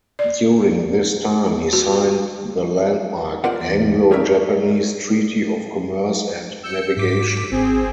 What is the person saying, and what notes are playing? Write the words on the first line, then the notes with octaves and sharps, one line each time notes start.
During this time he signed the landmark Anglo-Japanese Treaty of Commerce and Navigation.
D5
F#4
F4 A#4 C5 D5 F#5
E2
D#4 G#4 A#4 C#5 D5 E5
E6 G6 C#7
G#2 D6 B6
G#1 C4 G#4